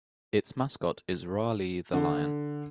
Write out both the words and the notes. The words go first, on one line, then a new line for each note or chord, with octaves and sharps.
Its mascot is Rah-Lee the Lion.
D3